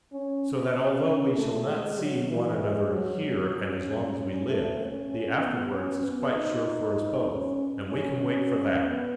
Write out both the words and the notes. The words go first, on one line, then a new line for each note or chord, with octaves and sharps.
So that although we shall not see one another here and as long as we live, the afterwards is quite sure for us both. And we can wait for that.
C#4
C#4
A3
G#3
F#3
E3
G#3
F#3
C#4
A3
C#4
C#4
B3
C#4
B3
D#4
C#4
C#4
B3